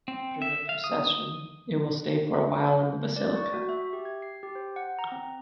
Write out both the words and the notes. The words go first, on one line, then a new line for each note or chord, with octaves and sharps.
After the procession, it will stay for a while in the Basilica.
C4
E5
F5
D#6
D5
C#6
F#4
E5
G4
G#6
C7
G4
C5
F#5
A#5
C4